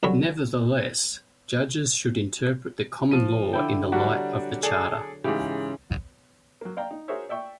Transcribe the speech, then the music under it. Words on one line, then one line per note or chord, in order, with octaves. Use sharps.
Nevertheless, judges should interpret the common law in the light of the Charter.
C2 D3 F#3 B5 C#6
F3 D#7
D3 E4 G5
F#3 G3 D4 F#4
G#4 A4 D5
G#2 C#3 E3 G4
F#3 A#3
D5 F5 G5 A#5
D#4
F#4 G#4 A#4 C5 C#5 E5
D5 E5 G5 C#6